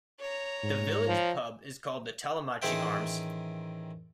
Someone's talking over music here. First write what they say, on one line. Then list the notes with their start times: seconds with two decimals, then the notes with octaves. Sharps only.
The village pub is called the Tollemache Arms.
0.20 C#5 A#5
0.63 G#2
1.07 F3
2.62 A1 D#3 G#4 C5 E5 G5